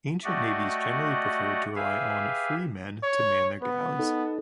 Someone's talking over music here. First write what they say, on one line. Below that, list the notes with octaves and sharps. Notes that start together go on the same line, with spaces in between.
Ancient navies generally preferred to rely on free men to man their galleys.
A3 F#4 G4 D5 D#5 F#5
G4 G#4 B4 E5 F5
C#5
B3 B4
D#4 A4